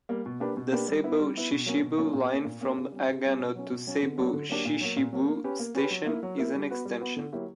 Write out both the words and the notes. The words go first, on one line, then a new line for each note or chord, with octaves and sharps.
The Seibu Chichibu Line from Agano to Seibu Chichibu Station is an extension.
G3 A#3
B2
A#3 D4 G4 B4
B2
A#3 D4 G4 B4
G3
B3 E4 B4
G3
B3 E4 B4
B2
F#3 A#3 C#4
B2
F#3 A#3 C#4
A#2
A#3 C#4
A#2
A#3 C#4
C#3
G3 C#4
C#3
G3 C#4
B2
F#3 C#4
B2
F#3 C#4
D3
F#3 A#3 D4 G4
D3
F#3 A#3 D4 G4
A#2
F#3 A#3
A#2
F#3 A#3
A#3
C#4 G4 B4
A#3
C#4 G4 B4
F#3
A#3 E4 A#4
F#3
A#3 E4 A#4
G3
B3 F#4 B4
G3
B3 F#4 B4
D3
F#3 A#3 E4 G4